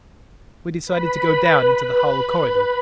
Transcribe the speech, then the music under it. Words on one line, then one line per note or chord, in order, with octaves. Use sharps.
We decided to go down into the hull corridors.
B4 B5